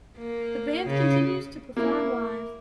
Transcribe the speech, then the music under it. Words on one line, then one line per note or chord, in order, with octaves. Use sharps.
The band continues to perform live.
A#3
C#3
A#3 E4